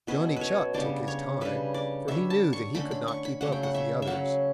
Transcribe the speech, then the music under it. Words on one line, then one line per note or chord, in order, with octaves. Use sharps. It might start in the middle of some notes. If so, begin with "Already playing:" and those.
Johnny Chuck took his time, for he knew that he could not keep up with the others.
B2 F#3 C#4 B4
B4 C#5
C#3 G3 B3 D4 D5
C#5
C#3 G3 D4 B4
D5
D3 G3 C#4 E5
A5
C#6
D3 A3 C#4 B5
B5
C#6
B5
C#3 F#3 A3 C#4 F#5
G5
F#5
E5
E5
C#3 F#3 C#4 F#5